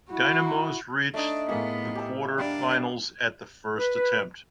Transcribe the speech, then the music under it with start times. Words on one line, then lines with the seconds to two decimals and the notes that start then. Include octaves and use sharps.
Dynamos reached the quarter-finals at the first attempt.
0.11 E4 F#4
1.14 A3 D4 D#4 D#6
1.49 A2 A#3 B3 G#4 F#5
1.95 G4 E5
2.38 G3 D4 F5
3.78 B4